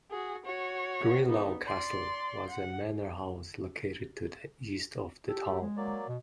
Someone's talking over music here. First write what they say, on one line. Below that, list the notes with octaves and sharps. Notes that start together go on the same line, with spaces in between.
Greenlaw Castle was a manor house located to the east of the town.
F#4 G#4
F#4 C#5
B3 D#4
D5 C6
F#5
G4 A4
G#3
F#3 A#3 D5
B2